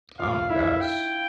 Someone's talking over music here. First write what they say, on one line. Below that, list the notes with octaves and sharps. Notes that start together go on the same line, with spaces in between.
Oh my gosh.
F4 F5
E4 E5
G5